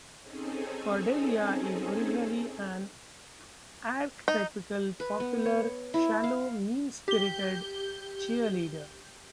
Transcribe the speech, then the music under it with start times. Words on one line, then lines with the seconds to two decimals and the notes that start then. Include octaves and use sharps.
Cordelia is originally an archetypal popular, shallow, mean-spirited cheerleader.
0.21 C4 C#4 D#4 G#4 A4 G#5
4.28 D#4
5.00 B4
5.20 B3
5.45 C#5
5.94 E4
6.24 F5
7.08 G4 G7